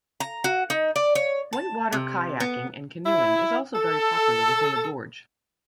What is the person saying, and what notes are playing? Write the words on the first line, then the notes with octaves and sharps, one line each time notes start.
Whitewater kayaking and canoeing is also very popular within the gorge.
A#5
F#4
D#4
D5
C#5
A5
C3
B3
E4
A4